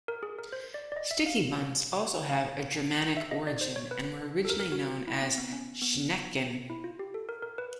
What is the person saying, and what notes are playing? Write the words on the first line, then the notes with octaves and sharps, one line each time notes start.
Sticky buns also have a Germanic origin and were originally known as ""Schnecken"".
A#4
G#4
A#4
C5
D5
D5
D#5
E5
F5
F5
E5
D#5
D5
C5
C#5
B4
A4
A#4
A#4
F#4
E4
C4
B3
C#4
B3
E4
F4
G4
A4
A#4
A#4
B4